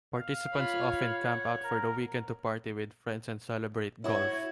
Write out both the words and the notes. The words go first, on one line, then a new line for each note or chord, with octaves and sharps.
Participants often camp out for the weekend to party with friends and celebrate golf.
F5
F4 C#5 B5
F#5
A#4
E4 F#4 C#5